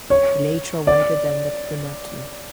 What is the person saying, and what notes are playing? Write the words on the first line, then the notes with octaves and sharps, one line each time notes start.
Elytra wider than the pronotum.
C#5
D5